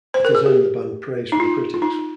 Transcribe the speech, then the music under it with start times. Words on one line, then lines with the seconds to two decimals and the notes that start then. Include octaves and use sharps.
It has earned the band praise from critics.
0.14 C5
0.25 A#4
0.35 G#4
0.46 G4
1.32 D#4
1.40 F4
1.74 F4
1.82 D#4